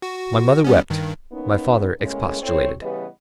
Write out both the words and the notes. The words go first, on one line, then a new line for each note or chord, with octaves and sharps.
My mother wept, my father expostulated.
F#4
G3 B3 C#4
G2 D#3
A#3 B3 C#4 D#4
A2 C#3 G#3 A#3 C#4
C4 E4 A4 C#5
C#3 E3 G3 B3 B4 D#5